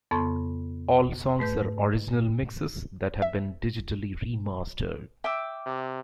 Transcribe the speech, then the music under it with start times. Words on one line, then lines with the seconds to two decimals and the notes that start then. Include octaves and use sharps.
All songs are original mixes that have been digitally remastered.
0.11 F2 C#3 B3 A4 C6 C#6
1.39 G#2 A3 B4 G6
3.22 E5
5.24 E5 G5 D6 E6
5.66 C3